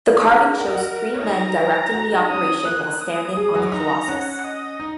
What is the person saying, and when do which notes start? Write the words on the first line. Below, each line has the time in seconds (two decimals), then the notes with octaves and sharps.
The carving shows three men directing the operation while standing on the Colossus.
0.15 D#4 G#4 D#5
0.51 A#4
0.59 F#5
0.66 D#5
0.75 F#4 F#5
1.14 C#5
1.22 D#4 D#5 A#5
1.93 F#4 F#5
2.12 D#4 D#5
2.30 C#4 C#5 D#6
2.65 A#3 A#4 F#6
3.01 D#6
3.37 G#3 G#4
3.55 F#3 F#4
3.72 D#4 A#5
4.08 C#4 F#5
4.45 D#5
4.80 D#4